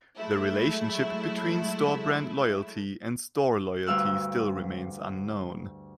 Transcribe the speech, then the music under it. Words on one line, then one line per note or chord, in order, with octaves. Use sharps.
The relationship between store brand loyalty and store loyalty still remains unknown.
F#3 G#3 A3 E4
D2 G2 F5 E6 F#6